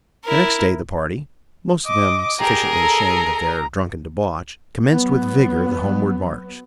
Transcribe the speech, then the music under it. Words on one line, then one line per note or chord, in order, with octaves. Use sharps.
The next day the party, most of them sufficiently ashamed of their drunken debauch, commenced with vigor the homeward march.
E4 A#4
D#5 D6
G4 G#4 A#4 A#5
A4
F#3 B3